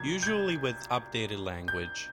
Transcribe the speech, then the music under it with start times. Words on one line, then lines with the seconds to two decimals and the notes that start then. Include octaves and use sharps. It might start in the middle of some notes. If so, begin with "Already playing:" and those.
Usually with updated language.
Already playing: C2 A#2 F#3 G#6
0.23 G6
0.27 G#6
1.68 G6